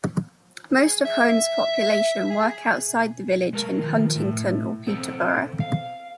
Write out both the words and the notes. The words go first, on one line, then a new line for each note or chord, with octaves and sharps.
Most of Holme's population work outside the village in Huntingdon or Peterborough.
G#4
E5
G#4
G#4
G#3 A4 A#4
D#3 F3
A2
B3 C4 A4
F5